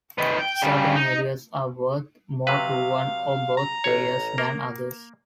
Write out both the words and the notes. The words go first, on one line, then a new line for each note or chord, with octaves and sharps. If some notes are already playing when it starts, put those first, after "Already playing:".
Certain areas are worth more to one or both players than others.
D#3 B3
G5
C#3 G3
D#4
C3 F#3 B4 F5
A#5
A1 C#5
A#3 A#4